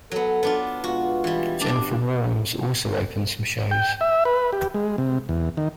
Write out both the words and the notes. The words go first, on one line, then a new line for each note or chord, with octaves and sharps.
Jennifer Warnes also opened some shows.
F#3 B3 A4
B3 D4 F4
B2 G#3 F4 F#4
E3 G3
D4 D5
G5
E5
B4
G4
G#3
C3
E2
D#3